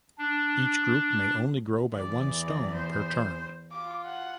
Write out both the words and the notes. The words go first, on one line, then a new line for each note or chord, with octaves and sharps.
Each group may only grow by one stone per turn.
D4
E2 D5
C5
F4 D6
F#5